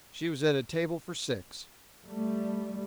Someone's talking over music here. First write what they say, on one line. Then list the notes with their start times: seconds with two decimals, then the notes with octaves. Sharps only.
She was at a table for six.
2.06 G3 A3